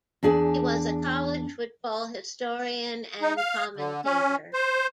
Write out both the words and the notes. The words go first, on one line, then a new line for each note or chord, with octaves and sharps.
He was a college football historian and commentator.
E2 D4 G#4 G#5
D#4
F5
D3
C#4
C5